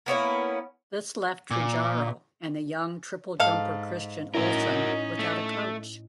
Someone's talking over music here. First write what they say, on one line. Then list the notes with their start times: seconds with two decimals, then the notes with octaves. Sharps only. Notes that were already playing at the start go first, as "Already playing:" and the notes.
This left Tregaro and the young triple jumper Christian Olsson without a coach.
0.06 A#3 B3 C#4 E4
1.51 A#2
3.40 G#2 A4 D#5 F5
4.35 A2 C#4 D#4 E4 F#4 A#4 D#5
5.19 A3